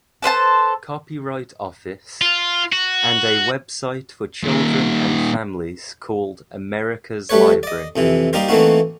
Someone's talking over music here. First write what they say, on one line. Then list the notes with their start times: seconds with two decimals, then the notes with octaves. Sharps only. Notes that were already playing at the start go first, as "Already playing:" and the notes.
Copyright Office; and a web site for children and families called America's Library.
0.22 A4 B4 C5 A5
2.22 F4
2.72 F#4
4.44 A#2 D#3
7.29 G3 A3 B4 C#5
7.63 D5 D#5
7.96 F2 C3 E3
8.33 G3 A#3 D#4 G4 A#4 C5
8.49 E3 A3 A#3 C4 D#4 F#4